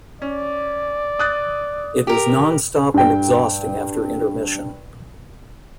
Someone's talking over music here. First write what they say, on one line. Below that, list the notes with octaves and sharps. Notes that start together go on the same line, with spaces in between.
It was non-stop and exhausting after intermission.
C#4 D5
D#6 F#6 A6
G4 A#4
G2 G5